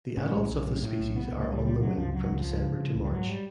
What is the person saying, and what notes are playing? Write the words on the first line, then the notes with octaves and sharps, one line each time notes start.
The adults of this species are on the wing from December to March.
A2 C#4
B1
B1
A2
A2
B1
C3 B3
C#2 B3
A#3
C#2 G3
C3 G3
C3 F#3
C#2 F3
C#3 F#3
C#2
F3
C#2
C#3
C#3
C#2
G3
G#2 F#3
G3